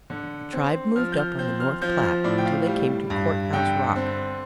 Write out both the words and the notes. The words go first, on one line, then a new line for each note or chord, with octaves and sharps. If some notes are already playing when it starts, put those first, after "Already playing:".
The tribe moved up on the North Platte, until they came to Court House Rock.
D3
C4
F3 F6
G6
F6
C4 G6
F6
F3 G6
F6
A2 D5
G5
F5
G3
G2
D3 G5
C4